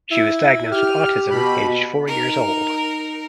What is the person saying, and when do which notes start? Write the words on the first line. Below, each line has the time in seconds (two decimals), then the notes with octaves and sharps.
She was diagnosed with autism aged four years old.
0.11 E4
0.72 G4 F6
1.31 B2 B5
2.06 D#4 A#4